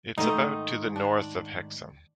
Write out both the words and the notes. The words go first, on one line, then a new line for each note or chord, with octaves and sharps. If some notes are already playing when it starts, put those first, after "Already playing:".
It is about to the north of Hexham.
G#2 D#3 A3 D#4
D4